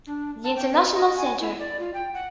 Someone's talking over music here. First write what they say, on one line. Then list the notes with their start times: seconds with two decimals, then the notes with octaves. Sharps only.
The International Centre.
0.07 D4
0.45 A5
0.57 G5
0.74 B4
0.94 D#5
1.17 G#5
1.40 E4
1.59 D5
1.80 F4
1.94 G5
2.14 F#5